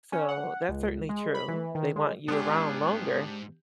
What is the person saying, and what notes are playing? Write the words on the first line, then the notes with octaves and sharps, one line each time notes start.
So that's certainly true, they want you around longer.
C#4
F#5
C#2
G#3
B5
E3
D#3
G#3
C#2 G#2 B3 D4 F4 G4 G#4